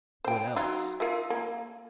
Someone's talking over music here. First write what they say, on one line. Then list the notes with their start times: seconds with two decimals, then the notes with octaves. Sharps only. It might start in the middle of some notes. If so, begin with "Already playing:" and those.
What else?...
0.24 C5 G5
0.56 F#3 D#4 F4
1.00 F4 A#4 E5
1.30 A#3